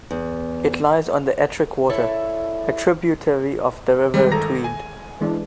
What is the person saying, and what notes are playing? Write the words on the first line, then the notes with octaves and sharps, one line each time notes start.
It lies on the Ettrick Water, a tributary of the River Tweed.
E2
E4 A4 C#5 D5 E5
D#3 G3 G#3
G1 D#3 A4 A#5 A#6
G#5
E3 G#3 D4